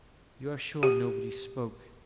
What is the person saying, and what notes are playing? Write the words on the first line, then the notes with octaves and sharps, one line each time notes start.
'You are sure nobody spoke?'
G4